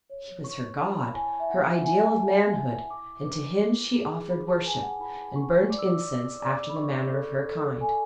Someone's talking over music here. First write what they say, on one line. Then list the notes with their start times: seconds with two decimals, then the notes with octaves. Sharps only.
He was her god, her ideal of manhood, and to him she offered worship, and burnt incense after the manner of her kind.
0.10 C#5
0.44 E4 C#6
0.79 E4 A5
0.99 B5
1.07 A5
1.14 E4 G#5
1.40 E5
1.50 E4 F#5
1.85 E4 G#5
2.20 E4 A5
2.55 E4
2.90 E4 D6
3.25 B4 D6
3.61 E4
3.95 G#4
4.30 G#4 B5
4.48 A5
4.66 B4 G#5
4.82 F#5
5.00 E4 B5
5.35 E4 C#6
5.70 D5 D6
5.79 E6
5.86 D6
5.94 E6
6.02 D5 D6
6.40 D5 D6
6.69 B5
6.76 E4 C#6
7.11 A4
7.46 A4
7.81 A4 G#5